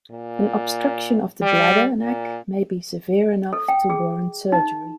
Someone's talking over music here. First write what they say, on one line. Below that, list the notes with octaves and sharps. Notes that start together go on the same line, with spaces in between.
An obstruction of the bladder neck may be severe enough to warrant surgery.
A#2
G3
A#2
A4
G5
G#4
D#4